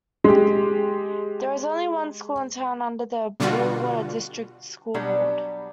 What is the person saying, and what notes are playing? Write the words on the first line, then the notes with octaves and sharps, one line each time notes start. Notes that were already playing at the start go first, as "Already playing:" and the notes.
There is only one school in town under the Bluewater District School Board.
G#3 G4
B2 D3 G3 F4 F#4
B2 F#3 G3 B3 D4 G4